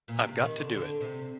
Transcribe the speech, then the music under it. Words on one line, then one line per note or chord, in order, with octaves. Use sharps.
I've got to do it.
A#2
C3
D#3
D3
D3
C3